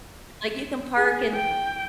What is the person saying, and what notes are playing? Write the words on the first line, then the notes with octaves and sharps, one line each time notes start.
Like you can park and
G#4
G5